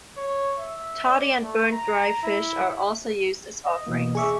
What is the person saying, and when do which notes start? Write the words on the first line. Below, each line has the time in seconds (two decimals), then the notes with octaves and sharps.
Toddy and burnt dry fish are also used as offerings.
0.17 C#5
0.58 E5
1.06 D5
1.43 A3
1.73 A#5
2.23 E4
3.66 D#5
3.87 B2 E3 A#3
4.00 D#5
4.15 G#4 D#5 E5 C#6 D6